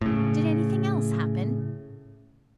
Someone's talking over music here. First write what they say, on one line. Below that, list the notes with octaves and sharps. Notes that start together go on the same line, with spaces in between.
"Did anything else happen?"
A2 C#3